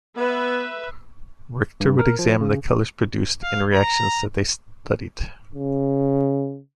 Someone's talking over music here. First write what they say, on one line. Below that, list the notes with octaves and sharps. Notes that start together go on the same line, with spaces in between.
Richter would examine the colors produced in reactions that they studied.
B3 B4 E5
G2
A#4
F3
C#3
F5
A#5
C#3